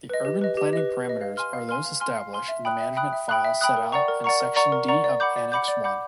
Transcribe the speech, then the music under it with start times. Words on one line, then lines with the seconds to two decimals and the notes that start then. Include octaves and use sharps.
The urban planning parameters are those established in the management file set out in section D of Annex I.
0.09 B4 D#5
0.25 G4
0.41 B4 D#5
0.57 G4
0.73 B4 D#5
0.89 G4
1.05 B4 D#5
1.21 F5
1.37 G#5 C6 F6
1.53 F5
1.69 G#5 C6 F6
1.85 F5
2.00 G#5 C6 F6
2.17 F5
2.33 G#5 C6 F6
2.48 E5
2.65 G5 B5 D#6 F#6
2.80 E5
2.97 G5 B5 D#6 F#6
3.13 E5
3.29 G5 B5 D#6 F#6
3.44 E5
3.61 G5 B5 D#6 F#6
3.77 A#4
3.92 D5 F#5 A#5 C#6
4.08 A#4
4.24 D5 F#5 A#5 C#6
4.40 A#4
4.56 D5 F#5 A#5 C#6
4.72 A#4
4.88 D5 F#5 A#5 C#6
5.04 D5
5.20 F#5 B5 D6 G6
5.36 D5
5.52 F#5 B5 D6 G6
5.68 D5
5.84 F#5 B5 D6 G6